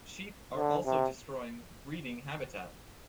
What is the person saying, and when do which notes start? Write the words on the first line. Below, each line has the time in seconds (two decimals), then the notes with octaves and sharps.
Sheep are also destroying breeding habitat.
0.57 D3
0.86 C3